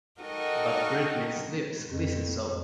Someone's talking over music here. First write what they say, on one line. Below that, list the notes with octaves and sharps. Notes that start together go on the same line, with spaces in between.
But Britney's lips glisten so...
D#4 F#4 A4 A#4 D#5 G5
F2